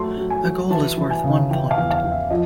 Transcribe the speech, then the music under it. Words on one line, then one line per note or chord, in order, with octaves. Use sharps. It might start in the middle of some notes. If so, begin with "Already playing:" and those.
A goal is worth one point.
Already playing: F#3 A3 C6
F#3
G#5
F#3
E3 A5
E3
G#5
C#3
E3 G5
F5
E2
F5
E2
E5
F3 D#5